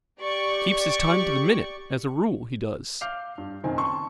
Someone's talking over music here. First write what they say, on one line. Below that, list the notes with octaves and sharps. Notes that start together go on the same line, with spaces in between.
"Keeps his time to the minute, as a rule, he does."
G4 D5 C#6
F5 D6 F6 G6 C7 F7
G2
F#1 B1 D#3 C4 G#5
A5 C6 C#6